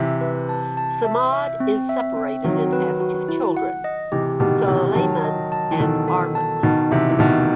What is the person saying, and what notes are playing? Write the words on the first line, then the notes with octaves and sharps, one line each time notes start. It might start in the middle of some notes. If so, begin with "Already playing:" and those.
Samad is separated and has two children, Soleiman and Arman.
Already playing: C3 E3 E5
B4
A5
A5
E5
E5
C4
E5
C4
D#3 F#3 F#4
B4
F#4
E4
F#5
D#5
C3 E3 G4
B2 D#3 G4
C3 E3 G4
D#3 F#3 A5
D#5
A5
E3
B2 D#3 A4
A4
A5
B2 D#3 D#4
C3 E3 E5
E3
B2 D#3 D#4